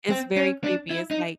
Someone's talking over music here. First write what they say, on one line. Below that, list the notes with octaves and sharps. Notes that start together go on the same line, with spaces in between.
it's very creepy, it's like
C4
C#4
D4
E4
D#4